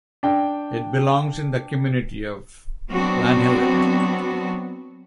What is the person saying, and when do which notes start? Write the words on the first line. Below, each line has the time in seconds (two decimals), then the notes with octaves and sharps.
It belongs in the community of Llanhilleth.
0.23 D4 G5
2.91 F#3 B3 C4 D4 F#4